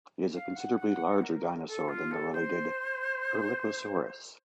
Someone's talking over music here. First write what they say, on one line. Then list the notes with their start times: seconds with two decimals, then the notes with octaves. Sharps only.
It is a considerably larger dinosaur than the related "Erlikosaurus".
0.33 F5
0.55 F#5
0.78 F#5
1.22 A#4
1.67 A4
1.88 F4
2.11 A4
2.33 C5